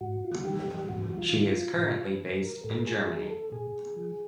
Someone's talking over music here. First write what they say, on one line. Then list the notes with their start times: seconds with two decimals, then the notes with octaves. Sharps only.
She is currently based in Germany.
0.01 G#2 F#4
0.24 F4
0.35 F#4
0.45 D#3 G3 G4
0.89 G#2 F#4
1.10 F#4
1.18 F4
1.32 D#3 G3
1.48 F4
1.76 A2 F4
2.05 B4
2.21 F#3
2.35 A#4
2.64 A2 A4
2.87 G#4
3.08 F#3 G#4
3.30 A4
3.52 A#2 G#4
3.96 F3